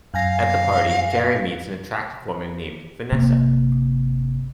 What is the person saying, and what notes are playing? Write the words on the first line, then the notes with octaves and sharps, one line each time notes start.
At the party, Jerry meets an attractive woman named Vanessa.
F#2 F5 G#5 A#6
G1 C3 A#3 C4